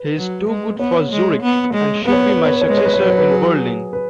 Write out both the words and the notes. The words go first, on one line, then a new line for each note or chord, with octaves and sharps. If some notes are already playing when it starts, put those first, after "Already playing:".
He's too good for Zurich, and should be my successor in Berlin.
Already playing: B4
F#3
G#3
B3 C#5
G#3
B3
G#3
B3 B4
C#5
B4
C#5
B4
C#5
B4
C#5
G#3 B4
C#5
B4
C#5
F#3 B4
C#5
B4
G#4
B4